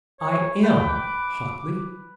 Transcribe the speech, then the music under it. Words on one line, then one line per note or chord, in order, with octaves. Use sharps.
"I am!" hotly.
C#5
B4 G5
D6